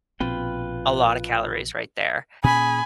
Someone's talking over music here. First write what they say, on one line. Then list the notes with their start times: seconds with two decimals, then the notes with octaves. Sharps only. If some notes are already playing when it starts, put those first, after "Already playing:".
a lotta calories right there."
0.20 A#1 B2 C4 F4 B4 G5
2.44 A#2 C#4 G#4 G#5 B5